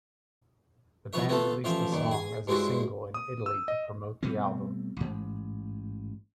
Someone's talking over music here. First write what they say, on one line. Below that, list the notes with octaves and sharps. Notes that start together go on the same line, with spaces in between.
The band released the song as a single in Italy to promote the album.
C2 F3 B4 C#5 E5
A3 B3 F4 A4
A1 F3 F4 E5 G5
F#2 A#2 D#3
G#4 G#5
G2 G#3 C4 E4 F#4
D#6
E6
D#5
B2 G3 A3 C4
A1 G#2